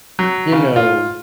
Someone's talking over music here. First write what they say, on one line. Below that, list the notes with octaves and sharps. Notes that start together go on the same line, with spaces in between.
you know
F#3
C#3
F4